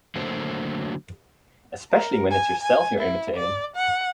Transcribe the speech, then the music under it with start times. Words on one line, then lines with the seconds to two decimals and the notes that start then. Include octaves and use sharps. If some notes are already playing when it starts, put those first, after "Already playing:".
Especially when it's yourself you're imitating.
0.15 D3 F#3 A3 A#3 F#4 C5
1.92 A#4
2.31 G#5
2.62 G#5
2.98 E4
3.36 D5
3.76 F#5